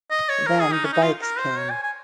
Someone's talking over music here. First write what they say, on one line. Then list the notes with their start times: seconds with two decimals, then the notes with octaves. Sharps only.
Then the bikes came.
0.10 D#5
0.29 C#5
0.47 A#4
0.59 G#4
0.72 D#4
0.85 C#4
0.93 D#4
1.03 F4
1.22 A#4
1.39 C5
1.58 C#5
1.70 G#5
1.83 G#5